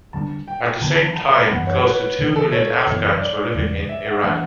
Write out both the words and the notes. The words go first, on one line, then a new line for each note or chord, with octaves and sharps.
At the same time, close to two million Afghans were living in Iran.
D3 G3 B3 D4 A5
G5
D3 F#3 B3 A5
A5
A5
A5
B5
A5
F#2 E3 G3 B3 F#5
C#5
B4
C#3 E3 A3 D4
A4
C#5
F#2 C#3 E3 B3
D5
E2 C#3 G3
E5
F#5
E3 A3 D4 F#5